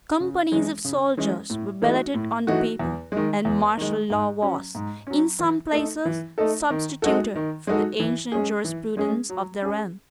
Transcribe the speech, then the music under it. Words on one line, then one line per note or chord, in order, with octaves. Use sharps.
Companies of soldiers were billeted on the people; and martial law was, in some places, substituted for the ancient jurisprudence of the realm.
C#3
E3 G#3 C#4
C#3
E3 G#3 C#4
A2
E3 A3 D#4 F#4
A2
E3 A3 D#4 F#4
E2
D#3 G#3
E2
D#3 G#3
G#2
F#3 C#4
G#2
F#3 C#4
E3
A3 D#4 A4
E3
A3 D#4 A4
D#3
G#3 D#4 F#4 A4
D#3
G#3 D#4 F#4 A4
E3
G#3 C#4 G#4
E3
G#3 C#4 G#4
F#3
C#4 G#4